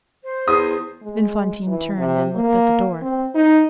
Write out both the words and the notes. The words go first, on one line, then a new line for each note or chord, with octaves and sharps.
Then Fantine turned and looked at the door.
C5
E2 D#6
G#3
E3
C3
A#3
C4
D#4